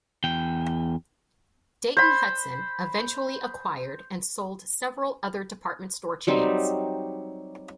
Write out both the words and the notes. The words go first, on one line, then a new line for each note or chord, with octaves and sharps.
Dayton-Hudson eventually acquired and sold several other department store chains.
E2 G5
C5 B5
F#3 G3 C4 D#4